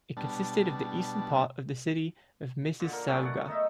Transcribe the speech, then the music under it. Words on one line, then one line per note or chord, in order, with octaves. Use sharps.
It consisted of the eastern part of the City of Mississauga.
B2 G3 D4 A5
A#2 D3
A#4
F#3 A3 B3 C#4
D5 F#5
D#4 D#5 E5